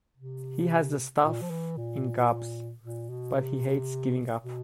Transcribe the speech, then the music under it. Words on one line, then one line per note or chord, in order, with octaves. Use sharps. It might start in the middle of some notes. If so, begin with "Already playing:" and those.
He has the stuff in gobs, but he hates giving up.
C3
A#2
F3
E3
A#2
A#2
B2
C3
B2